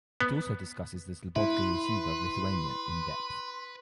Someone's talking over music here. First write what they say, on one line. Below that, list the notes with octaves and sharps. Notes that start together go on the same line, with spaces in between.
It also discusses the Slabodka Yeshiva of Lithuania in depth.
B3
E4 B4 E5 C6